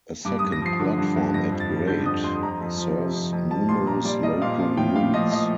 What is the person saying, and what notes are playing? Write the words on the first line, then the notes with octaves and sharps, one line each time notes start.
A second platform at grade serves numerous local routes.
G2 D6
G2 D#6
A#6
F3 C7
D3
G2
G2
F2 A#6
F2
A6
G3
D3 G6
F2 D#6
F2 C6
F2 A#5
F2
F3
C3
F2
F2
G3 A5
A#2 C6
A#2 A#5
G3 D5
G3 D#5
A#2 F5
F3 F5
A2 G5
A2 F5
F3 D#5
F3 D#5